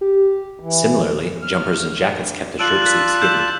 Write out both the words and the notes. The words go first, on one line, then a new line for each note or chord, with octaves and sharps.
Similarly, jumpers and jackets kept the shirtsleeves hidden.
G4
E3
F6
G2
F4 D5 A5 E6 F#6 F#7
F#6 B6
E6 G6 E7